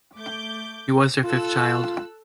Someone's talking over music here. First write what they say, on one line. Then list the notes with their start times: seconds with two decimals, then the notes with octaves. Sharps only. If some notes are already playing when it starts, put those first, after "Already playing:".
He was their fifth child.
0.15 A3 D6 G6
1.24 F4 A4 E6 F#6